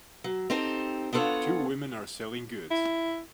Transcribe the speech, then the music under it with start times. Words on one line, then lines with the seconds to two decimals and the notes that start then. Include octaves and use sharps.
Two women are selling goods.
0.24 F#3
0.50 C4 D#4 G4 A4 C5
1.13 B3 D4 F4 A4 C#5 F#5
2.71 E4